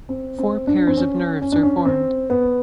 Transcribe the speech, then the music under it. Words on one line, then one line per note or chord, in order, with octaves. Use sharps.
Four pairs of nerves are formed.
C4
C4
D4
C4
C#4
C#4
D4
C#4
C4
B3